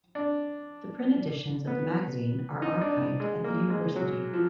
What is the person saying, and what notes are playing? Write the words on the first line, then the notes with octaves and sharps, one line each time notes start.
The print editions of the magazine are archived at the University.
D4
B3
D#4
D4
G#3
A#3
G#3
F#3
F3